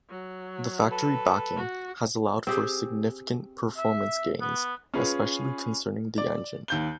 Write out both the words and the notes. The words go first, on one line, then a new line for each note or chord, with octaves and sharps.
The factory backing has allowed for significant performance gains, especially concerning the engine.
F#3
A4 B4
F#4
C4 G4 G#4
E5
B3
C#4 F4 G#4 B4
D5
D#2 G6 G7